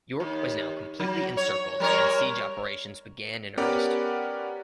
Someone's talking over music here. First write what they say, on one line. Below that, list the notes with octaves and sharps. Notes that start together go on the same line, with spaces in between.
York was now completely encircled and siege operations began in earnest.
D#2
F#3
C#5
G3 A#4 C#5
B3 C#4 G4 A#4 D5 F#5